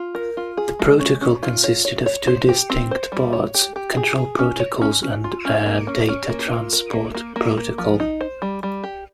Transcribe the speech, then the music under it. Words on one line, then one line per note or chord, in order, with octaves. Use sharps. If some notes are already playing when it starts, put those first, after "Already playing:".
The protocol consisted of two distinct parts: control protocols and a data transport protocol.
Already playing: F4
A#4
F4
G#4
G#3
C#4
C#4
F4
C#5
C#5
C#5
C5
G4
C4
C5
G3
C#5
G4
G4
G#4
G#4
C#4
C#5
C#4
C#4
F4
C#4
A#3
C#4
C#4
A#3
F4
A#4
A#3
A#3
A#3
A#3
F3
D#4
C5
G3
G3
G4